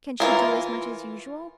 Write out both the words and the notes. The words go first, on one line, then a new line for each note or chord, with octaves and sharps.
Can she do as much as usual?'
E3 F4 A#4